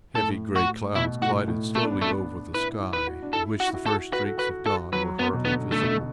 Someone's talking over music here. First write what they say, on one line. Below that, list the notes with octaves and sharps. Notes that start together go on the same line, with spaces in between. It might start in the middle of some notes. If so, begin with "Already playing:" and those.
Heavy grey clouds glided slowly over the sky, in which the first streaks of dawn were hardly visible.
A2 A4
F#4
B2 E4
A2 F#4
A2
A3 B3
D4
B3
A3
E4 B4
E4
E4 B4
F#4
D4
E4 A4
F#4
E4
F#4
A4
F#4 B4
A4
F#4 B4
A4
F#3 B4
B3
B2
D3 B3
D3 A3
B2
D3